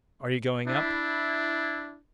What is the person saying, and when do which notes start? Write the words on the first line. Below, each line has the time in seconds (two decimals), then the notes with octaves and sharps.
"Are you going up?"
0.67 D4 E4